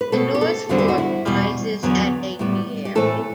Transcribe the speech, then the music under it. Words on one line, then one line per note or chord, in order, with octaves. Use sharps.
The North Fork rises at Apiary.
B4
B2 A3 C4 A4
G4
A4
E2 D3 G3 C4 F#4
G4
F#4
E4
E2 B2 G3
E2 D3 F#3 B3
A2 G3 B3
G4
A2 E3 A3 C4 A4